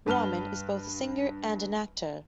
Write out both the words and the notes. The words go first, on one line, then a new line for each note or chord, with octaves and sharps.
Ramin is both a singer and an actor.
G2 B4 A5 F6 G7